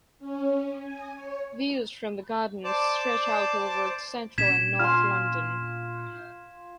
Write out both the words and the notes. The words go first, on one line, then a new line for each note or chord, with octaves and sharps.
Views from the gardens stretch out over central and north London.
C#4
G#5
C#5
C5 D5 A5 D6
A#2 C#4 D4 G#6 B6 E7
F4 G#5 C6 F6